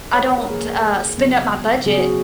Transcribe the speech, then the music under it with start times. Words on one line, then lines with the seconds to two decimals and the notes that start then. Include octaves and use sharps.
I don't, uh, spend up my budget
0.14 C#5
0.26 B4
0.38 A#4
0.50 C#3 F3 A#3 G#4
1.18 C#3 F#3 B3
1.86 C#3 F#3 B3 G#4
1.98 F#4